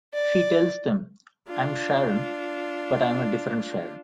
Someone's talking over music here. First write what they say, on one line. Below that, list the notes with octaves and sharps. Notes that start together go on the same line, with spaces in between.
She tells them, I'm Sharon, but I'm a different Sharon.
D5
D4 F4